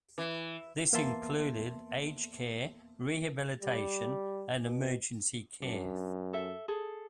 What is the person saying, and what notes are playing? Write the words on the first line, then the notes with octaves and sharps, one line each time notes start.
This included aged care rehabilitation and emergency care.
E3
E2 A#3 B3 E5 A5 C6
G3
B2
F#2 D4
A4 E5
G#4 A4